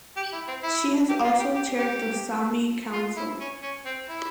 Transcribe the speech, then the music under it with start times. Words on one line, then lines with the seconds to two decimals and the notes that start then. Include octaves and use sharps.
She has also chaired the Saami Council.
0.16 G4
0.33 E4
0.48 C4
0.63 E4
1.09 G4
1.24 F4
1.39 G4
1.55 G4
1.78 G4
2.93 F4
3.16 E4
3.40 C#4
3.62 C#4
3.86 C4
4.09 E4